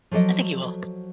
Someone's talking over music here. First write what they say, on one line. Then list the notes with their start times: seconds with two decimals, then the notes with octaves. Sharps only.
I think you will.
0.11 F3 F#3 A4 D5 D#5